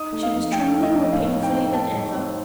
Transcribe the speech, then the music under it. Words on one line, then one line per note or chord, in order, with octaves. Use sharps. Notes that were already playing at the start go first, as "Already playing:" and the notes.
She was trembling more painfully than ever.
Already playing: D#4 D#6
A3
F5
F2
A3 G5
A3
D#5
F2
A2 F5
D#4
G5
A3
D#4 A5
A2
C4